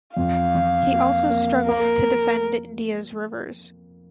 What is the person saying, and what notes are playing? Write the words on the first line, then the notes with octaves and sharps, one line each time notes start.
He has also struggled to defend India's rivers.
F2 F5
F3
A#3
A#3
A#3 A#4
A#3